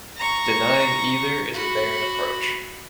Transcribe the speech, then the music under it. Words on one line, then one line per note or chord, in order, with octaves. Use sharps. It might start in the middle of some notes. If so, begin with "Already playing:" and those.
Denying either is a barren approach.
A#5 C#6
F#4 B5